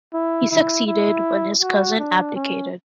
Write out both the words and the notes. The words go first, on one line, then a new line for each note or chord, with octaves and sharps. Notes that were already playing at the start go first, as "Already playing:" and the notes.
He succeeded when his cousin abdicated.
E4
E4
E4
F#4
D4
C#4